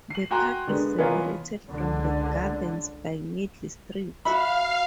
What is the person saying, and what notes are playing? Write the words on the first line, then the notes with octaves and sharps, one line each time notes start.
The park is separated from the gardens by Middle Street.
C7 F#7
F#4 G5 G#5 A#5 C6 F#6
D3 G#3 B3
F1 E3 B3 F4 C#5 A#5
C#2 D3
F#4 E5 F5 B5